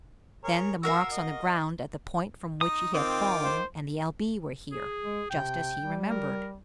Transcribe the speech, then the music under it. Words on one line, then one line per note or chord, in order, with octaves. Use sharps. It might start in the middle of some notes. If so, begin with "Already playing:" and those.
Then the marks on the ground at the point from which he had fallen and the L-B were here, just as he remembered.
G#4 A#4 C#5
F#4 A#4 F5 E6
D#5
D#4 D#6
D#3 C4 F4 G5 D6
C5
G#4
G#3
C3 G5
G3
A#4